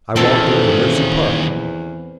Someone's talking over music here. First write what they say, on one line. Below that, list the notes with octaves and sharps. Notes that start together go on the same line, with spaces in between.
I walked in Gramercy Park.
E2 A#2 D#3 C4 C#4 A4